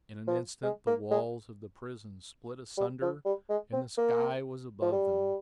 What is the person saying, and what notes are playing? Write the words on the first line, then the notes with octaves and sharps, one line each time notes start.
In an instant the walls of the prison split asunder, and the sky was above them.
F3
G#3
A#3
G#3
G3
F3
G3
G#3
C4
A#3
F3
G3